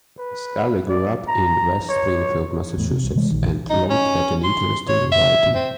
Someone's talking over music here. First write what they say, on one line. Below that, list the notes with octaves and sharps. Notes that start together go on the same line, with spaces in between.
Scully grew up in West Springfield, Massachusetts and long had an interest in writing.
B4
D5
A#5
C#5
E2 A2
C3
C2
C3 E3 G#3 A3
A#1 D#3
D#4
C#4
C6
C#5
E5
C4